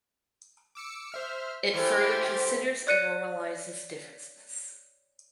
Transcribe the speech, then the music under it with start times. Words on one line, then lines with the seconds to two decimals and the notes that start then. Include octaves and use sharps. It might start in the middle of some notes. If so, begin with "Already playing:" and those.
It further considers and normalizes differences.
0.75 D6 E6 C#7
1.12 C5 E5 F6
1.74 E3 G4 A4 C5 F6 G#6 A6
2.87 C#5 D5 F#6 C#7 D#7